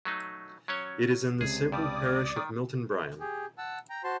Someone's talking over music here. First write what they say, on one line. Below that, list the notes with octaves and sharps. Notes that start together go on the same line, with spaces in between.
It is in the civil parish of Milton Bryan.
F#3 A3 D#4
F#3 C#4 C#5
C#2 C3 G#4
G2 G3 D5 D6 D#6
D#3
G4 G#4
F#5 A5 E6
G5 A#5
F#4 C5 A5 C6